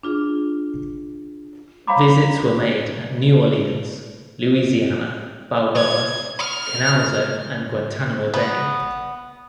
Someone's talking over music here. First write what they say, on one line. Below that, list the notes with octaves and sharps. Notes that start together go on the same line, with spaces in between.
Visits were made at New Orleans, Louisiana, Balboa, Canal Zone, and Guantanamo Bay.
D4 F4 G#4
C#5 F5 G5 A#5 B5 D6
G#6
F6
B3